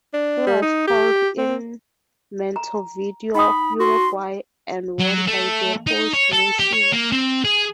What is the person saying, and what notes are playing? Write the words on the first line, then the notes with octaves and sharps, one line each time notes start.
It was held in Montevideo, Uruguay and won by the host nation.
D4
G3
D#4
G4
C4
A#5
D#4 G5 B5 D#6
F#4 C6
F#3
A3
D#4
C#5
A4
G4
C#5
A#3
C4
G#4